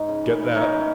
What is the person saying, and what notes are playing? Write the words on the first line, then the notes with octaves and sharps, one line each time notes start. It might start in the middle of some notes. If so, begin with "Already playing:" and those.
Get that?
Already playing: G#2
C#3
E3
E3
E3 C#4 D#4
E3